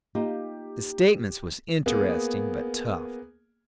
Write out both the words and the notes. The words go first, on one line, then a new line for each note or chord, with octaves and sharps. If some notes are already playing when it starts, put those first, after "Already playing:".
The statements was interesting, but tough.
A#3 D#4 F4 G4
A#3 B3 G#4